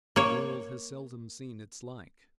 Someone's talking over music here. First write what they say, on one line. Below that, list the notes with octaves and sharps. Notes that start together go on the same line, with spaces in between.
'The world has seldom seen its like.'
A#3 C#5